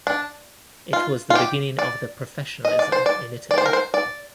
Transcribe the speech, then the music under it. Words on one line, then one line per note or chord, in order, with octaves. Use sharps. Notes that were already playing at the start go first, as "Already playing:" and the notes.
It was the beginning of the professionalism in Italy.
D4
F4
F4
G4
D5
D#5
D5
C5
D5
D5
C5
A#4
C5
D5